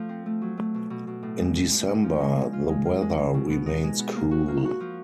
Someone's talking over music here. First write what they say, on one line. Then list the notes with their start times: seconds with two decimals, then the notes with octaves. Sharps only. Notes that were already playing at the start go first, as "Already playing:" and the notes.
In December, the weather remains cool.
Already playing: F3 A3
0.09 C4
0.26 A3
0.42 F#3
0.58 A3
0.74 B2
0.90 B2
1.07 B2
1.23 A2
1.39 G#3
1.55 A2
1.72 A2
1.88 G#3
2.04 F3
2.20 G#3
2.36 G#3
2.53 F4
2.69 G#3
2.85 F4
3.01 G#3
3.17 G#3
3.34 B2
3.50 B3
3.66 D#4
3.83 G#3
3.99 B3
4.16 A#3
4.31 F#4
4.48 A#3
4.65 F#4
4.80 F3